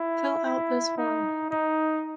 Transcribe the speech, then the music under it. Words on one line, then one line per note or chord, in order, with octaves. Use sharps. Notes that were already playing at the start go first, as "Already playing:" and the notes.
Fill out this form.
Already playing: E4
E4
D#4
D#4